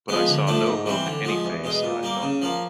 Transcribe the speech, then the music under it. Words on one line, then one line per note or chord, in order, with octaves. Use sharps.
But I saw no hope in any face, and I felt none.
F3 G#3 B3
D3
F3 A3 D4
G#2
E3 G3 C4
D3
F3 G#3
E2
B2 G#3
A#2
G3 A#3
C#3
F3 A#3